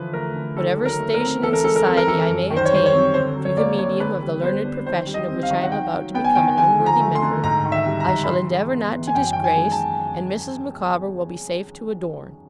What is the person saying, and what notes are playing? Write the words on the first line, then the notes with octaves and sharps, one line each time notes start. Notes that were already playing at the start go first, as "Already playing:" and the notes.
Whatever station in society I may attain, through the medium of the learned profession of which I am about to become an unworthy member, I shall endeavour not to disgrace, and Mrs. Micawber will be safe to adorn.
Already playing: D3 E3 F3 B4
A3 A#4
D3
D#3 A4
F#3
A#4
A3
A#4
C4
E3 A4
A#4
G#3 A4
A#4
C4 A4
A#4
E3 A4
F#2
D#3
C5
C#5
G3 C5
C#5
C4
D3 C5
F#3
C#5
A#3 D5
D3 C#5
D3 B4
G3
B3 C5
D4
D#3 C5
G3
D#5
C4
F5
D#3
F#5
D#3 G5
F#3
B3 G5
G#5
D#3 G5
D3 G#5
F3
A#5
A3
C6
D3
G#2 A#5
D#3
E5
G3
A#5
G#2
B5
E3 C6
G#3
B3
E3
G#5
F#2 G5
D#3 G5
G#5
G#3
A5